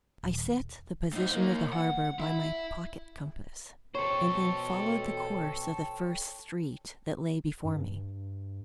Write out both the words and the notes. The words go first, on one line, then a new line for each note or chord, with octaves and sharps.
I SET the position of the harbor by my pocket-compass, and then followed the course of the first street that lay before me.
D#1
A2 D#4
A#3 D#4
F#5
E4 E5
B2 A4 C5 C#5 G5
G2